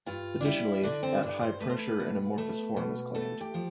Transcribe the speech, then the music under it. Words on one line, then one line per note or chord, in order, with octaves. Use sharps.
Additionally at high pressure an amorphous form is claimed.
G2 F4
D4
G3 E4
D3 D4
C4
G2 D4
C5
A3 B4
C5
B4
B2
A3
B2
A3 A4
G4
F3